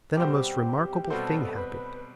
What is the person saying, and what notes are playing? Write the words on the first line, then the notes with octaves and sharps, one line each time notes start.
Then a most remarkable thing happened.
B2 G3 C4 F#4 G4 C5
G4
B2 G3 C4 F#4 A4 C5
B4